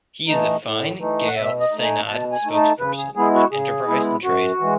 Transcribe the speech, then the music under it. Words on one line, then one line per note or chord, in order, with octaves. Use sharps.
He is the Fine Gael Seanad Spokesperson on Enterprise and Trade.
E3 A3 D#4
A2
E3 A3 D#4
F#5
B2 E5
D#5
A3 D#4
G#5
B2 A5
G#5
A3 D#4
A5
C#3 B4
G#4
G#3 B3 E4 G#4
F#4
C#3 G#4
G#3 B3 E4
F#2 F#4
E3 G#3